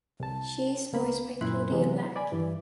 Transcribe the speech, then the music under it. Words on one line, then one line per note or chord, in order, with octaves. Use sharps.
She is voiced by Claudia Black.
C2 A5
C#2 A#3 B5
F#2 A#2 E4 B5 C6 F#6
C3 E3 F#3 G#3 B3
D5 G#5 B5
G2 E3